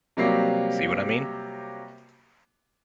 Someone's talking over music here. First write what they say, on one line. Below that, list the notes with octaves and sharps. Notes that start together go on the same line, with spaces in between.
See what I mean?
C3 F#3 G3 A#3 C7